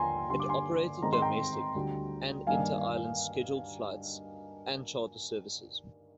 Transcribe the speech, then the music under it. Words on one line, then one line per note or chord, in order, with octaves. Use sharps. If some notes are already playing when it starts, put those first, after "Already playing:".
It operated domestic and inter-island scheduled flights and charter services.
Already playing: D#2 D3 F3 G5 G#5 A#5 C6
G2 D3 G3 C6
D6
G#5 C6
G#2 D#3 G#3 C4 A#5
C6
G5 A#5
D2 D3 G3
G2 D#3 A#3 D4 F5 G#5